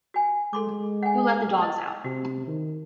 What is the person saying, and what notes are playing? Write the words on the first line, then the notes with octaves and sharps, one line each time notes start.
Who Let the Dogs Out?
F#4 G#5
G#3 A4 C6 D6
F#5 G#5
D#5
C3 F#4
D#3